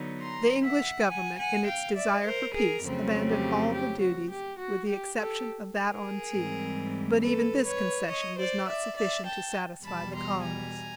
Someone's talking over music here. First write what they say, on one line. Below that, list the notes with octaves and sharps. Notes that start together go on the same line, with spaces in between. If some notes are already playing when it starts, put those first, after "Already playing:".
The English government, in its desire for peace, abandoned all the duties with the exception of that on tea; but even this concession was not sufficient to satisfy the colonists.
Already playing: D3 F#3 B3 D#4
A#5 C6
E5 F#5
F#5 G#5
F#5 G#5
F5 G5
D5 E5
A#4 C5
G#4 A#4
F2 C#3 F#3 A3 C4
G4
G4
F#4
G4
F#4
G4
G4 A4
G#4 A#4
G#2 E3 G3 C4
A4 B4
B4 C#5
C#5 D#5
C5 D5
D5 E5
D5 E5
G5 A5
E2 B2 G3 A5 B5
A#5 C6
G#5 A#5